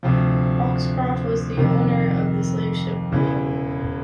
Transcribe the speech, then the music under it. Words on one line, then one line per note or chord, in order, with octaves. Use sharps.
Foxcroft was the owner of the slave ship "Bloom".
D2 C3 F3
F2 C3 D#3
E1 E2 C#3 E3